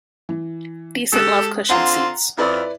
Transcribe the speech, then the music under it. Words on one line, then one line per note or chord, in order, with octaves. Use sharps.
Decent love cushion seats.
E3
G#3 G4 A4 D#6 F#6
D3 C4 F4 F#5 A#5
F2 E4 B4 D5